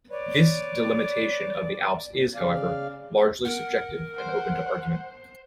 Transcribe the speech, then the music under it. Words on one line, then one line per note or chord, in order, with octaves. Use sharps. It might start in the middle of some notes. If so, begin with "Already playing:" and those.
This delimitation of the Alps is, however, largely subjective and open to argument.
B4 C#5 D5
C#3 D5 F5
A#4 F#5
C5 F#5